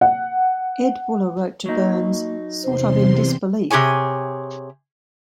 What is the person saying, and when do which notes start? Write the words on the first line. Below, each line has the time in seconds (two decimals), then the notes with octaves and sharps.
Ed Buller wrote to Burns, "sort of in disbelief".
0.01 F#5
1.66 F#3 A#3 D#4
2.64 E2 C3 C5 C6
3.70 C3 G4 G#4 C#5 G#5